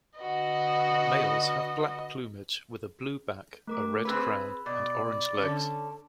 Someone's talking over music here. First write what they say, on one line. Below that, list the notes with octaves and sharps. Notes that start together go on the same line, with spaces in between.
Males have black plumage with a blue back, a red crown and orange legs.
D3 F#4 B4 D#5
A3 A#4 D6
C4 G#4 B4 B5 E6 F#6
B2 D5
D3 C#4